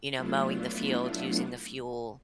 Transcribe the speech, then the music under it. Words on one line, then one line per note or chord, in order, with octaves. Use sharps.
you know, mowing the fields, using the fuel,
F#3 A3 B3 D4 E4 F4